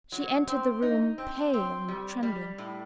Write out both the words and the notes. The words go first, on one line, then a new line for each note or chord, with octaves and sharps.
She entered the room--pale and trembling.
F#3
C4
D#4
C4
C4
G3
G3
A2